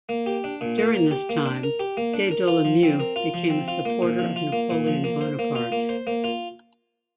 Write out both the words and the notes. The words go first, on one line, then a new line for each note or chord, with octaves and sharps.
During this time De Dolomieu became a supporter of Napoleon Bonaparte.
A#3
G4
D4
A#2
A#3
A#4
G4
A#3
D4
A#4
G4
A#3
D4
A#4
F4
F3
C4
A#4
F4
F3
C4
F4
A#3
A#2
F3
F4
A#3
A#2
F3
A#3
C5
A#3
F4
A#3
C5
A#3
F4